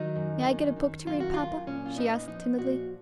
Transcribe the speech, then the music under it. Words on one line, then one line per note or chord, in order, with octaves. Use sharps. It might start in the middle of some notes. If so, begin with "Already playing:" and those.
"May I get a book to read, papa?" she asked timidly.
Already playing: D#3 F#3 D#4
F#2
D#3
D#3
F#2 F4
F#4
F#2 F4
A#2 C#4
F4
B3 D#4
F3 D#4
A#2 F#4